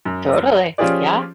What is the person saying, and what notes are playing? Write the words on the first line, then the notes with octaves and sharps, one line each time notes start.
Totally. Yeah.
F#2
F3 C#4 F4 G4 G#4 D5